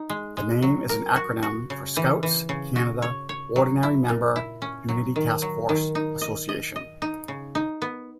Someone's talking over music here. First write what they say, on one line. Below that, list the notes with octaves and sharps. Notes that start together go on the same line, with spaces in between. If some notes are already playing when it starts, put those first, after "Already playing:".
The name is an acronym for "Scouts Canada Ordinary-member Unity Taskforce Association".
Already playing: D#4
G#3
G#3
F#3
A#4
F#4
F#4
C#3
E3
E3
C#3
F#4
C#5
C#5
F#3
E4
A#2
E4
C#4
F#3
D#3
F#3
D#3
D#4
D#5
D#5
D#5
D#4
C#3
D#4
B3